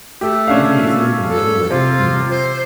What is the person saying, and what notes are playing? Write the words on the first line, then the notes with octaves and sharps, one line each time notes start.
family isn't even really like, you know,
A3 G4
C#4 D4 F5
A4
C3 F4
C5